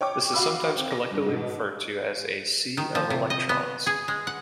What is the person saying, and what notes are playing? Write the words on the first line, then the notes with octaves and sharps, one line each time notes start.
This is sometimes collectively referred to as a "sea of electrons".
C#5 G5 C#6 D6
F#4 F5 B5 E6
C4
A#6
G2
G#2 B2
D#3
F3
C3
D#5
B3
G#4
G#3
F#5